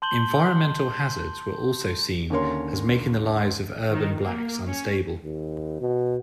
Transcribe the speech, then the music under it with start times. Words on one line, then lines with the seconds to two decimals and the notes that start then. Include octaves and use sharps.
Environmental hazards were also seen as making the lives of urban blacks unstable.
0.02 A5 C6 G6 F#7 G7
2.30 D#2 D3 C#4 A#4 C#5 C6
3.90 D#3
4.21 A#3
4.66 C#4
5.24 D#2
5.81 B2